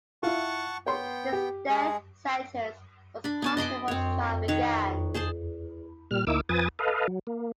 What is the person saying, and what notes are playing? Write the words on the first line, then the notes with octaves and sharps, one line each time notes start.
His death sentence was passed before his trial began.
E4 F4 F#5 A5 C#6
B3 C#5 G5 C6
G4
G#3 G#4
D4 B5
B3 G#5 A5
D#5 B5 C6 D6
C4 C#5
D#3 B4 C#5
G#4 C5 A5 C6
A#2 G3 F6
D2 A#3 D#4 E4 D6 E6
F2 F3 B4 G#5 D#6 A6
A4 B4 D#5 F5
F#3
A#3